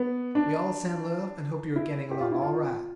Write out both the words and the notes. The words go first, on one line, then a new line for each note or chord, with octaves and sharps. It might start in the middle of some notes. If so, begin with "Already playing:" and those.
We all send love, and hope you are getting along all right.
Already playing: B3
D4
E4
G4
F4
E4
F4